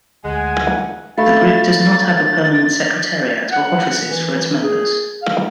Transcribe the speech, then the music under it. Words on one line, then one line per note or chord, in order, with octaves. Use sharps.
The group does not have a permanent secretariat, or offices for its members.
D2 G#3 F#5 G#5
A3 F5 B5 A6
F#5
E3
G#4
F5